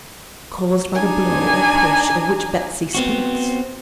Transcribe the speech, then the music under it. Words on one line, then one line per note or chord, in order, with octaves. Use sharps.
'Caused by the blow or push of which Betsy speaks.'
D4 D#4 G#5
B3 C4 F#4